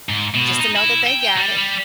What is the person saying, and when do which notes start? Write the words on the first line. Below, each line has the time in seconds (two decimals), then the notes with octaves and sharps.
just to know that they got it,
0.09 G#2
0.35 B2
0.60 D#4
0.76 E4
1.07 G5
1.37 G3
1.58 G3